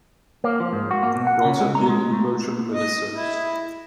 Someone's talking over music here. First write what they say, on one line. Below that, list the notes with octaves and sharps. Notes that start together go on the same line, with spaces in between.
He also appeared in the Bertram Mills Circus.
A#3
F3
G#2
F#4
A#3
B2
F#5
C#3
G#3
A#5
G#3
A3
D#5
E4